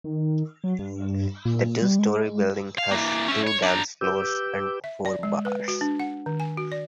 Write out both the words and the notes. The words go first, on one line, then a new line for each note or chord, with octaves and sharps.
The two-storey building has two dance floors and four bars.
D#3
F#3
G2
A#2
G3
G#3
F5
E3 A#3
C#4 E5
C#5
D4 A#5
G4 B4 D6 E6 G6
E5
D5
G#3
B4
F#4
D4
F#5
D#3
G#5
F#4
D5